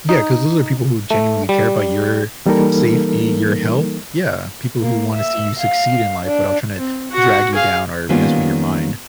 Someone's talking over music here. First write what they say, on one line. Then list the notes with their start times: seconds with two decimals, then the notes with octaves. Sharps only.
Yeah, 'cause those are people who genuinely care about your safety, your health. Yeah, people who wanna see you succeed in life without tryna drag you down or mess with your mind.
0.09 D#4
1.11 A3
1.49 G3
2.46 E3 G3 A#3 D#4 A4 A#4
4.81 A#3
5.15 E5
5.59 F5
6.25 D4
6.78 C4
7.11 F#4 F#5
7.55 G#4 F5
8.09 D#3 G3 A#3 B3 C#4 F4